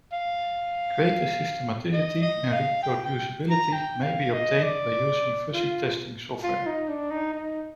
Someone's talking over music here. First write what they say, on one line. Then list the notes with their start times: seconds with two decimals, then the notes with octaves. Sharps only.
Greater systematicity and reproducibility may be obtained by using fuzz testing software.
0.12 F5
1.93 D#5
2.23 D#5
2.52 F5
2.83 G5
3.05 G5
3.50 A#5
3.73 G5
4.03 F5
4.33 D#5
4.63 D5
5.54 F4
6.43 F4
6.66 D#4
6.88 D4
7.11 D#4
7.33 D#4